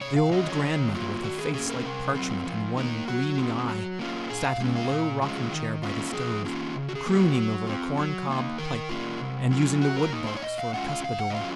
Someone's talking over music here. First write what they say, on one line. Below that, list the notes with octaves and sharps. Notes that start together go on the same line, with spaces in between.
The old grandmother, with a face like parchment and one gleaming eye, sat in a low rocking-chair by the stove, crooning over a corn-cob pipe and using the wood-box for a cuspadore.
C3 C#5
F5
F#3 C#4 F4 D#5
C#5
D#3
F#3 A#3 F4
D#3 F#4
G#4
A#3 C#4 G#4
A#4
C3
F#3 C4
F3
A#3 D#4
F#3 F#4
C4 D#4
F#3
A#3 C#4 F4
A#2 G#4
F5
G#3 C#4
F5
A#2
F3 G#3 C#4 F4
D#3
A#3 C#4 F4
F3 G#4
A#3 C#4 F4
C#3
F#4
G#4
F3 A#3
F#4
F#3
C4 F4
F#3
A#3 D#4
D#3 A#4
A#3 C#4 F4
C3
F#3 C#4 F4
F#3 F#4
A#4
A#3 D#4
C5
C#5
A#2 D#5
F5
G#3 C#4 F4 F#5
F5
C#3 F5
F#5
D#5
F#3 C#4 F4 F5